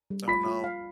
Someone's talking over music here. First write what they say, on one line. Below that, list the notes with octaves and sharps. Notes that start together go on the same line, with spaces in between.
Oh, no.
G3
F4 B5 B6
F4
F5